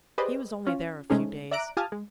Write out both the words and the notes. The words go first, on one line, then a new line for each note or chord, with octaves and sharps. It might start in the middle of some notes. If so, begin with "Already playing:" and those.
He was only there a few days.
G4 G#4 B4 C5 D5 D#5
C#4 F4
C3 G#3 A3 C#4 D#4 G#4
D5 E5 A#5 F#6 D7
F4 G4 G#5 A5 D#6 F6
G#3